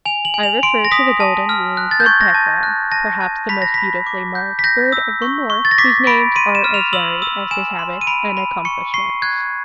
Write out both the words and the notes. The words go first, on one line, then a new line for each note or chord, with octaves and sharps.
I refer to the golden-winged woodpecker, perhaps the most beautifully marked bird of the North, whose names are as varied as his habits and accomplishments.
G#5 F7
F#7
G#5
F7
C6 D7
A#6
D#6 B6
A5
F6
F#6
A6
G6
C#6 G#6
A#6
A5
F#6
A5 A#6
A5
B5 B6
A#6
B5 B6
D6
G6
B6
G6 A#6
E6
C#6
C#6
A6
A#6
D6 B6
B5 D7
C6 D#7
E7
F6
F7
E6 F#7
E6
G#5 E7
C6
D#7
B5 D7
B5
C#6 C#7
C#6 C7
F#6 G#6